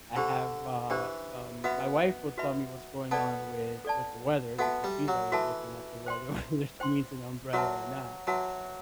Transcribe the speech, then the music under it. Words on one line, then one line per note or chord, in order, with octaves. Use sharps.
I have a, um my wife will tell me what's going on with with the weather, because she's always looking at the weather whether she needs an umbrella or not.
D3 D4 G4 C5 G5
E3 D4 G4 C5 G5
B3 F#4 B4 E5 B5
F#4 B4 E5 B5
B3 A4 D5 A5
A4 D5 A5
B3 F#4 A4 E5 A5
G3
F#3
E3 F#4 A4 E5 A5
C5 G5 C6
C5 G5 C6
F#3 F#4 B4 E5 A5
F#3 F#4 B4 E5 A5